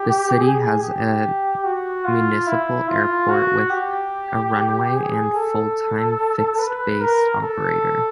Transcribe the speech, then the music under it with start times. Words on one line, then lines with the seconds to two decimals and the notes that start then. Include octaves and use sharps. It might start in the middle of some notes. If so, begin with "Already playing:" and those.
The city has a municipal airport with a runway and full-time Fixed-base operator.
Already playing: G4
0.40 G#4
0.81 G4
1.64 F#4
2.05 F4
2.47 E4
2.88 F4
3.29 F#4
3.70 G4
4.94 G#4
5.35 A4
6.59 B4
7.01 A#4
7.42 A4